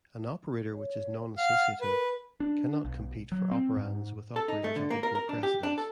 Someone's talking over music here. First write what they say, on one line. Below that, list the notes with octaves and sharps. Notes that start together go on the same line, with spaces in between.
An operator which is non-associative cannot compete for operands with operators of equal precedence.
C#5
F5 F#5 F6
A#4 B4
D4
B1
F#3
C4
G#2
A4
D#4
A3
D3
A#3
A#4
A#4
D4
G4
D4
A4